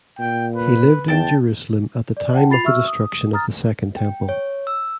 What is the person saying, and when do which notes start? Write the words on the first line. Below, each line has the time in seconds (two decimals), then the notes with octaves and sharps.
He lived in Jerusalem at the time of the destruction of the Second Temple.
0.19 A#2 G5
0.56 B4
1.08 E2 G5 A5
2.17 D5
2.34 F#5 G5 A5
2.50 F4 B5 A6 C7 F7
2.64 F#4 E5 C#6 E6 F6
2.87 D#6
3.33 A#5 D#6 F6 A6
3.97 G5
4.29 C#5
4.67 E6